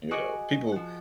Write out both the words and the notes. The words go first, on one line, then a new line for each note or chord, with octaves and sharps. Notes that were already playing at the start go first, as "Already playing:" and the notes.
you know, people
F#4 G#4 D#5 C#6 D6 F#6
F3 F#5